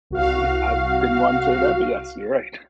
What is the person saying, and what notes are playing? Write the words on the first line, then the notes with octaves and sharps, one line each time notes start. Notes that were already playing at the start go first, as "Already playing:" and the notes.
y I didn't want to say that, but yes, you're right.
C2 F#4 F5